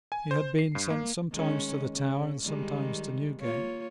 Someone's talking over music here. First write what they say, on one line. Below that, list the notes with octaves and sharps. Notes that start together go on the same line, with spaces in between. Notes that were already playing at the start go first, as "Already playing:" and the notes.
He had been sent sometimes to the Tower, and sometimes to Newgate.
G#5
C5
C7
G2
A#3
D#3 G#3 C#4
C#3
D#3 G3 G#3
A#3 F4 C#5